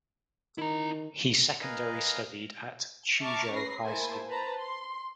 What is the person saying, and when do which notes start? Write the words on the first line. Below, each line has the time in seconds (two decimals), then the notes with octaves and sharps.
He secondary studied at Chuzhou High School.
0.58 D#3 E4 A#5
1.62 A#4 B4 D#5 F5 G#5 A#5
3.21 E5 A5 A#5 C#6 D6 F6
3.52 C#4 B4 A#6 C7
3.82 A#3 E4 C5 G#5 A5
4.28 B4 C5 A5 A#5
4.58 C6